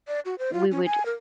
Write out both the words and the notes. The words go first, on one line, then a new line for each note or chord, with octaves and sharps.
we would
D5
F#4
C5
F4
C#4
G#5
A#4